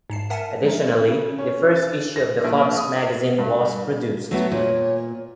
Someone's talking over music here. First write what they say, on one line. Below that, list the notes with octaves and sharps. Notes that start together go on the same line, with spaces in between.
Additionally, the first issue of the club's magazine was produced.
G#2 A5 C7
A#4 E5 F#5 G#5 A5
F3 G#3 A3 D#4
C#3
C#4
A6
A#6
A#1
D#6
G2
F#3 A3 B3
A#2 C#5